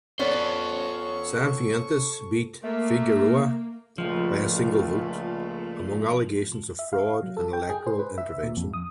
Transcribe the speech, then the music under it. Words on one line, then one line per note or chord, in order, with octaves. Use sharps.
Sanfuentes beat Figueroa by a single vote, among allegations of fraud and electoral intervention.
B3 C#4 A4 C5 D5 C#6
A3 A#3 A#4
C#2 A#2 F3 A3
E5
F5
F#3
A4
G5
G#4
C5
B4
E5
A#2
F2
D#6